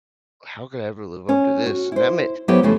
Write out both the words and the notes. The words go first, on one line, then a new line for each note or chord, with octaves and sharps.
how could I ever live up to this? That ma
C#4
F#4
E4 C5
F#3 B3 E4 G4 B4 C5
F2 C#3 E3 F3 A3 C#4